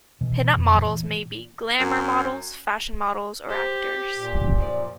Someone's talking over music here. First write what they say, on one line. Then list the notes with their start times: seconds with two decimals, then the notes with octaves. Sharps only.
Pin-up models may be glamour models, fashion models, or actors.
0.21 B2 E3
0.53 D1 F2
0.75 A#2 E3
1.79 F#2
3.50 G4 C5
4.15 A#2
4.58 F#2 F3 D5